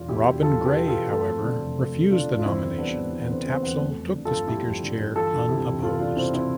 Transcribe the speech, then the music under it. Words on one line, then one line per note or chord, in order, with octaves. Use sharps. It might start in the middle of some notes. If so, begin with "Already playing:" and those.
Robin Gray, however, refused the nomination, and Tapsell took the Speaker's chair unopposed.
Already playing: E1 E2 F4
B2 E4 G4
E1
E1 F4 A4
E2
G4 B4
B2
F4 A4
E1
A3 F4 A4
F2
D3
F1
A3
F2
D3 D4 F4
F1
F4
E2 C4 E4
D3
G3 B3 D4
E2
E2
B3
D3 C4
G3 C4
E2 B3
A3
F2
D3
F4 A4
G1
A3 E4 G4
F2
D3
G1
E3 F4 A4
D2
C3 E4 G4
E1
E3 F4 A4
D2 D4 F4
C3 C4 E4
C4 E4